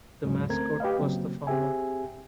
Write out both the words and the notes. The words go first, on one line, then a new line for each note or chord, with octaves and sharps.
The mascot was the Farmer.
D#2 G#2 F#3 G#3 C#4
D2 A3 C4 A#4 G#6
G4 B4 D#5 F5
C#3 F#3 A#3 C4
C4 G4 G#4 E5 G#5